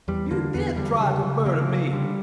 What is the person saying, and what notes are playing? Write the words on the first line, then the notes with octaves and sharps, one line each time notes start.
"You did try to murder me!"
E2 G3
D3 A#3
E2 B3
D3 G3
C#3 G3
C#3
C#3 A#3
C#3
D3 G3